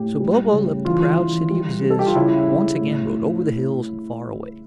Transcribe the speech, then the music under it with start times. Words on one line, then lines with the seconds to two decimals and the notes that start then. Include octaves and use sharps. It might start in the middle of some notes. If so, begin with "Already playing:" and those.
So Bobo left the proud city of Zizz, and once again rode over the hills and far away.
Already playing: A2 G4
0.20 G3
0.53 C#3
0.85 E3 F4
1.18 E3
1.51 G3
1.83 G3
1.90 A4
1.99 G4
2.06 F4
2.15 C#3 E4
2.48 C#3
2.81 A2